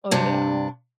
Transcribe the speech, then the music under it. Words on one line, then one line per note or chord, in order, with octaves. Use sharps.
Oh, yeah.
G2 C3 D4